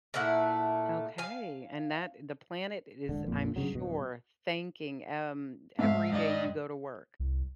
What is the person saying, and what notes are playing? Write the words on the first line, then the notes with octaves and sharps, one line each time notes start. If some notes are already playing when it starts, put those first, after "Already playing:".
Okay, and that the planet is, I'm sure, thanking, um, every day you go to work.
A#2 A3 E4 F#5
F5 G#5
E1 D3
A#1 F2 A#2
G2 C#3 F#3
D1 B2
G#2 A3 E5 F5
G2 D5 D#5
C2